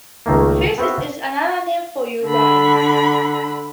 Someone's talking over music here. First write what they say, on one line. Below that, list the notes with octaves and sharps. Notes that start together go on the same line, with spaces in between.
Fesces is another name for urine.
C#2 D#3 A3 A#3
B3 C4 F#4 E5 F5
D3 B5